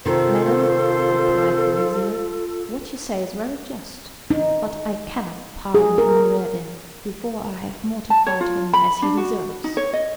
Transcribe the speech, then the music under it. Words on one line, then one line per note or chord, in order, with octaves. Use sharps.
"Madam," replied the vizir, "what you say is very just, but I cannot pardon Noureddin before I have mortified him as he deserves."
C3 D#3 F4 A4 C5
D#4
G#4
A#4
A5
C#5
F4
B5
D4
F#4
D#4
C#5
D#5